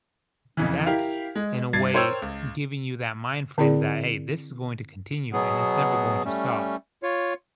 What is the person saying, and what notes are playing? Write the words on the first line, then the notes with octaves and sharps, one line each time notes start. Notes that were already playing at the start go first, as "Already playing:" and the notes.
and that's, in a way, giving you that mind frame that, "Hey, this is going to continue and it's never going to stop,"
F2 C#3 E3
E4 G4 A#4 F5
G#3
G2 G#6 A6 C7
A#4 C5 C#5 G5 E6
C#2
D3 C4 E4 G#4 D5
B2 F#3 B3 G#4
G3 A3 C#4
F4 C#5